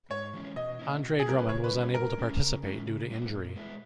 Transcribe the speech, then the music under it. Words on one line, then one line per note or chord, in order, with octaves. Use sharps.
Andre Drummond was unable to participate due to injury.
G#2 C#5
E3 G#3 C#4
B2 D#5
A#3 C#4 E4
B2
G#4
G3 C#4 E4 A#4
B4
C#3 C#5
B4
G3 C#4 E4
B4
G2 A#4
G3 C#4 E4
C#3
G#3 C#4 E4
C#3
G3 B3 E4
A#2
G#3 B3 E4